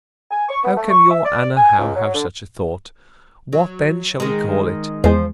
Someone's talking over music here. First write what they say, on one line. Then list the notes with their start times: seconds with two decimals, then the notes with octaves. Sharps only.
How can your Anna Howe have such a thought?--What then shall we call it?
0.31 G#5
0.49 C#6
0.63 B3
0.77 A3
0.91 C#6
1.10 E5
1.25 D5
1.57 G#5
1.78 C#2
1.96 F#3
2.14 D3
3.53 F#3
4.20 D#3 G#3
5.04 E2 F3 G#3 C5